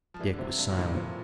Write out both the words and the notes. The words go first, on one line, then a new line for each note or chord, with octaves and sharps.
Dick was silent.
F3
E3 G3
D3
C3 C4
G2 G3
A#2
A2 D3
A#2 F3